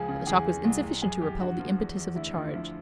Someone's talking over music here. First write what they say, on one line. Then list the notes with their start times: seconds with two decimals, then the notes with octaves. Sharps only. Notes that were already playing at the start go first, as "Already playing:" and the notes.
But the shock was insufficient to repel the impetus of the charge.
Already playing: C#2 F3 G#4
0.09 C#3
0.27 E2 G#4
0.46 E2
0.65 C2
0.83 C2
1.02 F#2 G#4
1.21 F#2 G4
1.40 D3 F#4
1.60 F3
1.78 E2
1.97 E2
2.16 D2 E4
2.34 D2 F4
2.54 F3 E4